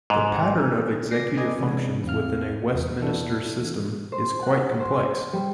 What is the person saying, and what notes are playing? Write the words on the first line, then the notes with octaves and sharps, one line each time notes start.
The pattern of executive functions within a Westminster System is quite complex.
G#2
D5 G#5 A#6 C7
D4 A4 B4 D#5 G#5 D6
C3 E3 G#3 C#4 D4
E2 C4 F5 F6
E2
E3 B3 D4 E4 F#4 A4
C5
F#5
C5
G3